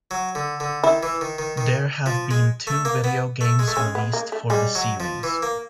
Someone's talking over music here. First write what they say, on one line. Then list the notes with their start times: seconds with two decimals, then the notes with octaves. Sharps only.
There have been two video games released for the series.
0.11 F#3
0.35 D3
0.60 D3
0.84 D#3 E4
1.03 E3
1.21 D#3
1.38 D#3
1.57 D#3
2.06 F3
2.31 G#3
2.67 A3
2.85 A#3
3.04 B3
3.41 A3
3.59 G#3
3.68 A3
3.76 G#3 C#4
3.95 B3
4.13 A#3
4.32 A3
4.50 G3 G#3
4.75 F#3
5.00 F3
5.23 E3
5.42 A#3